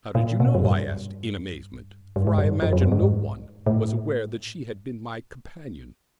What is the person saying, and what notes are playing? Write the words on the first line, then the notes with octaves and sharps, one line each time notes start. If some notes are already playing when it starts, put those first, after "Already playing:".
"How did you know?" I asked in amazement, for I imagined no one was aware that she had been my companion.
A#2
B2
F#2
G2
G2
G#2
G2
F2
F#2
G2
G#2
A2